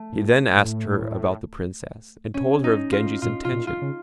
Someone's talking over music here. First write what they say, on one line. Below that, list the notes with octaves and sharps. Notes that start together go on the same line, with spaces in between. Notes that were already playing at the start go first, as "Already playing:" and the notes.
He then asked her about the Princess, and told her of Genji's intention.
Already playing: A3
A2
A2
C#4
D#4
F4
A#2 F4
F4
A#2
F4
C#3